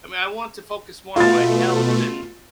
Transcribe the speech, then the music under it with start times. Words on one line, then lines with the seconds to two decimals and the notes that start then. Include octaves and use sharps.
I mean, I want to focus more on my health and
1.16 B2 A3 F4 A6